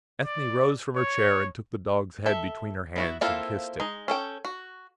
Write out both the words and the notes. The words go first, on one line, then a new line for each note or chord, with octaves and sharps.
Ethne rose from her chair and took the dog's head between her hands and kissed it.
D5
C#5
A4 E5
B3 E4 F#4
A#3 C4 E4 F4 A4
G#3 D#4
C#4 A4 G5
F#4